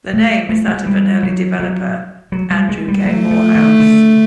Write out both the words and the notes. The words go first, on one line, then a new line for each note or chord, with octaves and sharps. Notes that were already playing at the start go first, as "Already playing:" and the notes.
The name is that of an early developer, Andrew K. Morehouse.
A3
A3
G#3
G3
F#3
F#3
F#3
G3
G#3
G3
F#3 A3
F3
D#3
D3